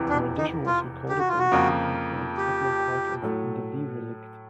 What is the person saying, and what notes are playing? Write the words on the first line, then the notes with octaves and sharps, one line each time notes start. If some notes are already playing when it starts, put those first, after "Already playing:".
A rendition was recorded by the steampunk band Abney Park as "The Derelict".
Already playing: F1 E2 C3 E3
D4
D#4
F4
G4
F#4
F4
F#4
F2 C#3 F3 A#3
G4
A2 F#3 A3